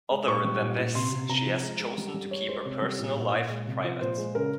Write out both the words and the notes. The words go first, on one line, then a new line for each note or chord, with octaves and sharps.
Other than this she has chosen to keep her personal life private.
G#3
A#2 C#6
G3
A#2
A#2
C3 C6
C3
C3 A#5
F3
G#3
G#3
G3
G3
G#3 C#5
G#3 C5
C3 C#5
G3
A#2
A#2
A#2
G#3
C3
F3
A#2 C5
G#3
C#3 A#4